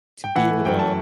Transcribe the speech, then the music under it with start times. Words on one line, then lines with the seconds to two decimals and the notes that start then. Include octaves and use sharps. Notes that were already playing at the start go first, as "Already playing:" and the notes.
to be able to
0.24 G5
0.35 E3 F#5
0.51 A3
0.65 F#2 G5
0.79 A5